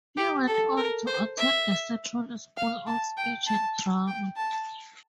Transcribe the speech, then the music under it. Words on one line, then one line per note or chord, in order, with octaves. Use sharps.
He went on to attend the Central School of Speech and Drama.
G4
A4
A#4
C5
E5
F5
A5
G5
A5
G5
A5